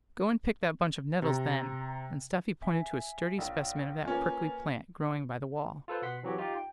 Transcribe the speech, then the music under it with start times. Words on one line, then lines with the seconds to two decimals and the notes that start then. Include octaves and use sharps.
"Go and pick that bunch of nettles, then," and Stuffy pointed to a sturdy specimen of that prickly plant growing by the wall.
1.22 C3 A#5
2.62 E5 G#5 B6
3.38 A#1 C#5 F5
4.05 A#3 C#4 F4 B4 G#5
5.88 F4 A4 B4 C5
6.02 B2 B3 F#5 C6 B6
6.23 E3 F#3 C4 F#4 G4 C#5
6.38 D#4 F4 G4
6.54 G5